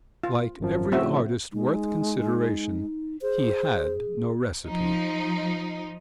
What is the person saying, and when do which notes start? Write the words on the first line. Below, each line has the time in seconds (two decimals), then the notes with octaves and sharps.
Like every artist worth consideration, he had no recipe.
0.23 F4
0.60 G#1 F#2 F3
0.92 A2 C#3 F3 C4 F#4 E5
1.52 G#3 D#4
3.22 G#4 C5
4.66 F3 D#4